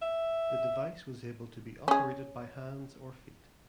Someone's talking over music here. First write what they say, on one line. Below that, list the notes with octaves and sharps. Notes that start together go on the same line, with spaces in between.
The device was able to operated by hands or feet.
E5
C#4 G#4